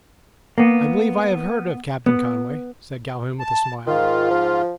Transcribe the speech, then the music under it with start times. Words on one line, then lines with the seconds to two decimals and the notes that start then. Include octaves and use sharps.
"I believe I have heard of Captain Conway," said Calhoun, with a smile.
0.58 A#3 B3
2.06 B3
3.39 A5
3.87 G#2 D#3 F4
4.30 F3